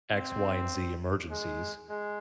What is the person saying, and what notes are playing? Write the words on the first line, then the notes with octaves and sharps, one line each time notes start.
x, y, and z emergencies.
C4
G#3
G#3